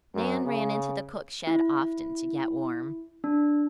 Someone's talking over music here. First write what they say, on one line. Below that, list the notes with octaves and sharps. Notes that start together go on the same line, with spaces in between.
Nan ran into the cook shed often to get warm.
F#2
C#3
E4
D4